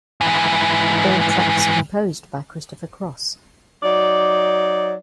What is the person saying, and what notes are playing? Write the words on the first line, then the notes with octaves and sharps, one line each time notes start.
All tracks composed by Christopher Cross.
G#2 E3
F#3 D#4 D5